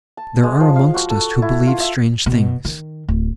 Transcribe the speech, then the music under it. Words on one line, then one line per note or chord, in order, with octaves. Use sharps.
There are amongst us, who believe strange things.
A5
G#3
F3
F5
F#4
A4
E4
F4
E5
B2
D#3
D1